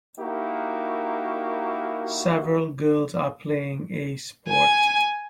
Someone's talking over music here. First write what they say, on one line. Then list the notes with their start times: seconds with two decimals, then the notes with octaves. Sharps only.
Several girls are playing a sport.
0.19 A#3 D#4 E4 F#4 G4 A#4
4.49 G#5